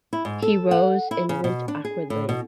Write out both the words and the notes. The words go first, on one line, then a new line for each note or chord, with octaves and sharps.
He rose and went awkwardly.
E4
G#2
A4
F#5
E4
C#3
B2
D4
G#4
A2
B2